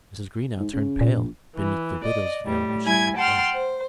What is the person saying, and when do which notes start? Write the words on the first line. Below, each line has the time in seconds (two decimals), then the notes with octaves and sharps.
Mrs. Greenow turned pale beneath the widow's veil which she had dropped.
0.60 G#2
0.73 C#3
1.01 A#2
1.16 A#1
1.57 E3
2.04 D5 D#5
2.44 A2 G3
2.84 G3 E4 G#5 G#6
3.16 F#5 G5 A5 C6 F6
3.55 C5